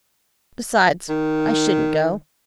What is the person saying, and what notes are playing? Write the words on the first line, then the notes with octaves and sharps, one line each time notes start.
Besides, I shouldn't go.
D#3